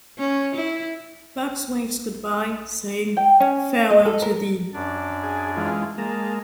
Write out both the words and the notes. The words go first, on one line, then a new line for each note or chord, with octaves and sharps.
Bugs waves goodbye, saying: "Farewell to thee".
C#4
E4
G5
C#4
D#5
A4
A#4
F#2 D4 D5
G#4
E3 G#3 F4
G#3 A#3 A5 A#5